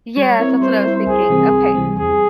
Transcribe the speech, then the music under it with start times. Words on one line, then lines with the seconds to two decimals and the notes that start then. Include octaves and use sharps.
Yes, that's what I was thinking. Okay.
0.17 G3 C#5
0.40 C4 E4 A#4 E5
0.62 G3 C5
0.84 C4 E4 A#4 E5
1.06 C#2 G#4
1.30 C3 E3 G3 C4
1.51 C#2
1.75 C3 E3 G3 C4
1.97 E2 G#4